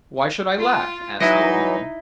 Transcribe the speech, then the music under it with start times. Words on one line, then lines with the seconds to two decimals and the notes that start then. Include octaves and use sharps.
'Why should I laugh?' asked the old man.
0.59 F4
1.20 E3 F#3 D#4 E4 D#5